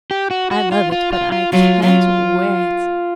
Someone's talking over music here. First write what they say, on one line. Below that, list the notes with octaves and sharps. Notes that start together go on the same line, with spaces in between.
I love it, but I can't wear it.
G4
F#4
F#4
F4
F4
F4
F4
F#3 F4
F#3 F4